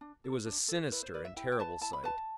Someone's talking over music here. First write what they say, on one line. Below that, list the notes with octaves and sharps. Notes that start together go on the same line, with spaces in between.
It was a sinister and terrible sight.
D4
A4
D4
A4
E4 B4
C5
B4 D5
E5
E4 G5
G5
B4 A5
E4 A5
B5
B4 A5